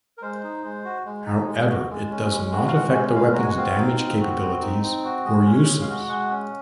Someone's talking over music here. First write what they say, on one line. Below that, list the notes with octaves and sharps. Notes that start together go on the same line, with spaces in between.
However, it does not affect the weapon's damage capabilities or uses.
A#4
G#3 C5
D#4
G#3
F#4
G#3
D#4
G#3
F#4
G#3
C#4
G#3
F#4
F5
G#3 F#5
C#4
G#3 F5
F#4 A#5
G#5
F#5
C4 F5
D#4
C4
F#4
C4
D#4
C4
F#4
G#3 D#5
C#4
C#5
G#3
F5
F#4
G#3 F#5
C#4